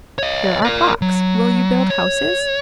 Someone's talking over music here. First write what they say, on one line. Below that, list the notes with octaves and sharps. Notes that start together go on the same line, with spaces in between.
"Here are blocks; will you build houses?"
C#5 D#5
A#4 D5
F#3
C#5